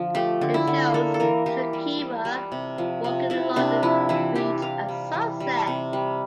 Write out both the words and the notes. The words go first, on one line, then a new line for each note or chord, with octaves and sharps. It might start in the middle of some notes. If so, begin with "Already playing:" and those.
It shows Shakira walking along a beach at sunset.
Already playing: D3 F3 F4
A3 G4
D3
E4
D3
A#3 A4
A4
E3 A#4
E3 G4
G3
G3
G3
C3
F3
C3
C3 E4
C3 D4
F3 E4
E3 E4
E3 G4
E3 F5
G3
E3
G3
C3
G3